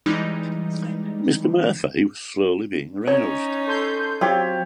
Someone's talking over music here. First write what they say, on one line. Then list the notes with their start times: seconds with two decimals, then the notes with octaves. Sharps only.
Mr. Murphy was slowly being roused.
0.06 E3 G3 G#3 D#4
3.07 C#4 D#4 C#5
3.67 A4 C6 G6
4.21 F#3 C4 F4 G4 C#5